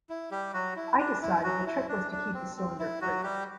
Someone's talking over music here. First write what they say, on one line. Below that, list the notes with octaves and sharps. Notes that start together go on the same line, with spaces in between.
I decided the trick was to keep the cylinder free.
E4
G3 G4
F#3 F#4
E4
D4
E4
F#3 F#4
E4
D4
D4
C4
C4
E4
F#3 F#4
G3 G4